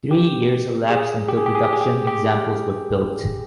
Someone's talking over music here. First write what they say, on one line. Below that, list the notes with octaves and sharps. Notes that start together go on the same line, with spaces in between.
Three years elapsed until production examples were built.
G4
G#4
G4
G#4
G4
G#4
G4
G#4
G4
G4